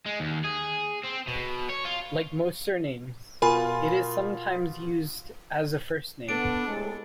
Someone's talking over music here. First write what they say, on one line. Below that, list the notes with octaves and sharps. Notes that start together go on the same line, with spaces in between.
Like most surnames, it is sometimes used as a first name.
G#3
D#2
G#4
C4
B2
C#5
F4
B2 F4 A#4 F5 G#5 B5
B3 D4 A4 D7
A2 C3 G#3